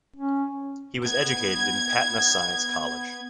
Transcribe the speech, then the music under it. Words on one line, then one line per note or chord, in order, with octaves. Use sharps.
He was educated in Patna Science College.
C#4
B3 G#6